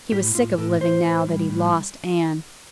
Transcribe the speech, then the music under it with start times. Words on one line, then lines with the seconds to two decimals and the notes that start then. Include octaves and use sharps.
He was sick of living now that he'd lost Anne.
0.12 A2 G4
0.35 A2 F4
0.58 A2 A4
0.80 A2 C5
1.04 A2
1.27 G3
1.50 A2